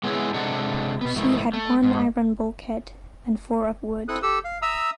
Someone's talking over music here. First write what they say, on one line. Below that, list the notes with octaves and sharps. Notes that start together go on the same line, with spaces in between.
She had one iron bulkhead and four of wood.
G#3 B3 C#4 D#4 E4 G#4
C3 G#3 D4 D#4 F#4 A4
B2 B3
G#2 D#3 E3 A3
A3
G#2
C4 E4 A4 D#6 F#6
G4 A4 E6
F5
E5 A#5 D#6 E6